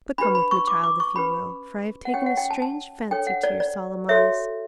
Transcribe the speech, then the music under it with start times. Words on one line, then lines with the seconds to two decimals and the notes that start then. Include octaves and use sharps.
But come with me, child, if you will, for I have taken a strange fancy to your solemn eyes.
0.18 D4 G4 B4 B5
0.35 B5
0.51 C#6
0.67 D6
0.84 D6
1.00 C#6
1.16 C#4 G4 B4 B5
2.05 F#5
2.13 C#4 G4 C#5 G5
2.26 F#5
2.37 G5
2.51 A5
2.62 A5
3.11 D4 A4 C#5 G5
3.27 F#5
3.43 D5
3.60 D5
4.09 F#4 A4 C#5 E5